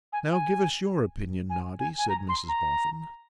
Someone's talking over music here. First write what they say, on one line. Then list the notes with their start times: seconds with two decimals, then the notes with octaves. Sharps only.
'Now, give us your opinion, Noddy,' said Mrs Boffin.
0.13 G#5
0.32 G#5
1.50 G#5
1.80 G#5
1.98 G#5
2.09 A#5
2.29 C6
2.48 A#5